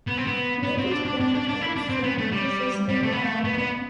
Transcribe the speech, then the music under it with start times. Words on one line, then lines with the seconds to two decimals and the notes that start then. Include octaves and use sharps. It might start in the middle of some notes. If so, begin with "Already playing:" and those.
Lake was born in San Francisco, California.
0.07 B3
0.17 C4
0.27 B3
0.63 B3
0.78 C4
0.91 D4
1.05 D4
1.20 D4
1.34 D4
1.48 D4
1.61 E4
1.76 D4
1.89 C4
2.03 B3
2.18 A3
2.31 G3
2.89 G3
3.03 A3
3.12 B3
3.23 A3
3.44 B3
3.58 B3